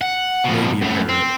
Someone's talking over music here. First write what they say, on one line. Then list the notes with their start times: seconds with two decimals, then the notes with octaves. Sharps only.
Maybe a parrot.
0.01 F#5
0.45 F2 B2
0.82 F#2 A2
1.09 C4